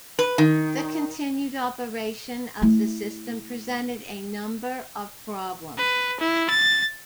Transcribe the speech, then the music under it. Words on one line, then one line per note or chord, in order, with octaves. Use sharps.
The continued operation of the system presented a number of problems.
B4
D#3
A3 E4
B4
E4
A6